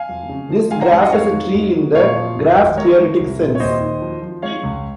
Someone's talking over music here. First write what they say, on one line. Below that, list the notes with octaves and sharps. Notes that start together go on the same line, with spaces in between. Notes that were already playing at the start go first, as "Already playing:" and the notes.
This graph is a tree in the graph-theoretic sense.
Already playing: F5 G#5
F2
C#3
F3
G#3 F5 G#5
F#5 A#5
G#2 F5 G#5
D#5 F#5
G#2 C#5 F5
G#2
G#2
F#3
A#2 C#5 F5
F3
F#2
G#1
G#3 A#4 C#5
G#2
C2
A#2
C#5
D#2 C5 D#5
D#3
F3
F3
G#3 C#5 F5
C#2